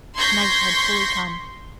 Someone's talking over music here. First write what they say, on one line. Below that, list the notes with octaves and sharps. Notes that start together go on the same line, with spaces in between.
Night had fully come.
C6 C#6 G6 G#6 A#6 B6